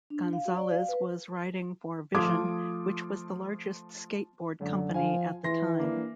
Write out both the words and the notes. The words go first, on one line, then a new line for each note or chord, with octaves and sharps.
Gonzales was riding for Vision which was the largest skateboard company at the time.
D4
F5
F#4
D5
F5
B4
F3 A3 F4 D6 D#6 G#6
F#2 D3
F3 F5 G#5
E3 C6 A#6
A#3 D4